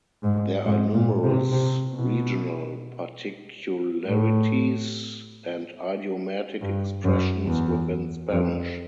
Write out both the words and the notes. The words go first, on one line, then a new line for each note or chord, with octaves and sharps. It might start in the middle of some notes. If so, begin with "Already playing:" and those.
There are numerous regional particularities and idiomatic expressions within Spanish.
G#2
G#2
A#2
C3
C3
B2
A2
G2
F#2
E2
F2